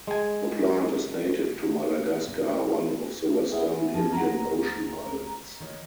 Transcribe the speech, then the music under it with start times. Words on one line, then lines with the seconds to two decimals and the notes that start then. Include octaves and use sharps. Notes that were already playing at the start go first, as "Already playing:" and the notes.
The plant is native to Madagascar, one of the western Indian Ocean islands.
0.07 G#3 G#5
3.52 B3 E4 G#4
3.94 F3 C#4
4.13 D2 G#3 F#5 A#5
5.60 D#3 C#5